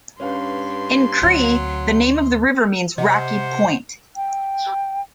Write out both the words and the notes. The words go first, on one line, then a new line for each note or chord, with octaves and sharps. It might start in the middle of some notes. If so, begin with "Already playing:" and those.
In Cree the name of the river means "rocky point".
G2 C#4 B4 F5 C6
D2 F#3 C4
C3 C5 D#5 F#5
G5